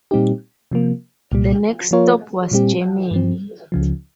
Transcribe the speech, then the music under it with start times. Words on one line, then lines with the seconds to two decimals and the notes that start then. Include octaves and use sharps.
The next stop was Germany.
0.11 A#2 G3 C4 D#4 G4
0.71 C3 F3 A#3
1.32 C2 A#2 G3
1.91 F3 A#3 F4 A#4 C#5
2.51 A#2 G3 C4 G4
3.11 G2 F3 C4
3.72 C#2 C#3 F3